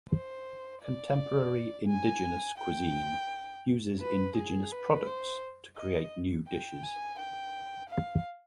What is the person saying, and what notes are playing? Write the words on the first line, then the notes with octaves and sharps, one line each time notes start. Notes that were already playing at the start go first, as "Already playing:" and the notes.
Contemporary indigenous cuisine uses indigenous products to create new dishes.
C5
D5
G#5
G5
B4
G#4
B4
C5
D#5
G5
G#5
G5
F5